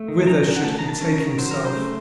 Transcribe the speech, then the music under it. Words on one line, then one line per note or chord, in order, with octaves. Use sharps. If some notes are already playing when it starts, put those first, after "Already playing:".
Whither should he take himself?
Already playing: A3
D#3
A5
C#4 A#5
D#3
F#5
A3 A5
D#3 A#5
A5
C#4
A#4
D#3
F#3 C5
A#4
C#3
C5
A3